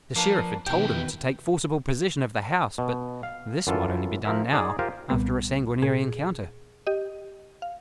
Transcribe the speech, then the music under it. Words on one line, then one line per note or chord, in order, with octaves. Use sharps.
The Sheriff had told him to take forcible possession of the house, but this might only be done now after a sanguinary encounter.
F3 A#3 D4 B4
B2 D#3 E4 G4 B4 G5
B2
F5
F#2 E3 F4 A4
F3 A#4 E5
D#4 G#4 D5
F4 G4 A#4 C5 F5
C2 A#2 G3 B3
A#2 G#4
G4 D#5
F5